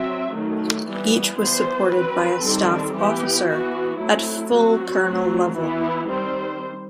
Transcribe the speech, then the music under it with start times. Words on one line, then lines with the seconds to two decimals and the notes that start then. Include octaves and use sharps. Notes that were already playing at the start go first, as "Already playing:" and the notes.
Each was supported by a staff officer at full colonel level.
Already playing: F#3 C4 E5
0.34 D#3 F#3 A3
0.87 E3 G3 B3
1.38 E3 G3 B3 C5
1.91 F#3 C4 B4
2.42 D#3 G3 C4 A4
2.95 E3 B3 G4
3.47 E3 B3 F#4
3.99 F#3 A3 C4 E4
4.51 F#3 C4 F#4
5.04 F#3 A3 C4
5.56 E3 B3 E4
6.08 D#3 G3 C4 C5